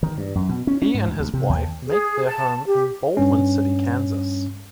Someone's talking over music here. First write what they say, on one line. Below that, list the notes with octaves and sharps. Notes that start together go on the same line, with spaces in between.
He and his wife make their home in Baldwin City, Kansas.
D#3
G2
F#2
B2
C#4
C#4
G#2
D2
D2
C3
D#2
G#4
A5
G4
G2 C#4